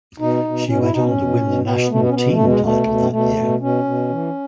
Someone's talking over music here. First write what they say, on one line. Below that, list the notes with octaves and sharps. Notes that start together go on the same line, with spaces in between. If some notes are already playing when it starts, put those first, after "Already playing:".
She went on to win the National Teen title that year.
B2 D#4
B2
B2 C#4
E4
B2 D#4
C#4
B2
B2
B2 B3
B3
B2 A3
B3
C#4
B2 B3
A3
B2
G#3
B2 A3
B2
B2 A3
B2
B2 C#4
B2
E3